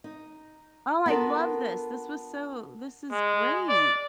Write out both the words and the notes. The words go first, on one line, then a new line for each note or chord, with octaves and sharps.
Oh, I love this, this was so this is great.
D#4
B3 D4 F4 A4 A#4
G#3
D5